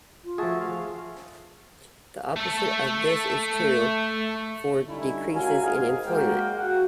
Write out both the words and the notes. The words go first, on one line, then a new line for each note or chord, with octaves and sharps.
The opposite of this is true for decreases in employment.
F4
F3 A3 F#4 G#4 E5 A5
F5
A3 A4
D3 G3 C#4 D#4 E4
C#2 F#4 A#4 F5 G#5
G#2 G#4 F5
F#2 G#3 A#3 F#4 A#4 G5
F#4 F5 F#5